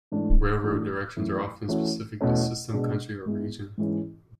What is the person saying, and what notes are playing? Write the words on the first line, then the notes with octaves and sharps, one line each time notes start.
Railroad directions are often specific to system, country, or region.
G#2 E3 A3 D4
A2 E3 A3 D4 F#4
F#2 E3 A3 C#4 E4
E3 A3 C#4 F#4
E2 B2 A3 C#4
B2 G#3 D4
G#2 G#3 B3 E4
G#2 E3 G#3 C#4